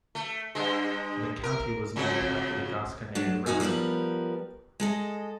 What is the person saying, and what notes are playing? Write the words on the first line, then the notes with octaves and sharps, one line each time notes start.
The county was named after the Gasconade River.
A3
G2 G#3
A#4
F2 C#3 F#3
F#3 A3 D4
A#2 D#4 F#4 D#5 G#5
F3 G3 B3 A#4 B4
G#3 A4 D#5